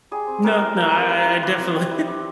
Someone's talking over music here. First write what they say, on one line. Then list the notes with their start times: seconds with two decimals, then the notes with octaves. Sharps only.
No. No, I I I definitely,
0.11 G3 G#4
0.27 C4
0.44 G3 A#4
0.61 E4
0.76 G3 A#4
0.84 B4
0.92 C4 A#4
1.09 G3 B4
1.25 E4
1.43 G3 B4
1.59 C4
1.75 G3
1.91 E4
2.07 G3